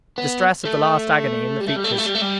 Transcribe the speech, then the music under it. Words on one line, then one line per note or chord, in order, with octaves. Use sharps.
The distress of the last agony in the features.
B3
A3
G3
A3
G3
A3
G3
A3
G3
A3
G3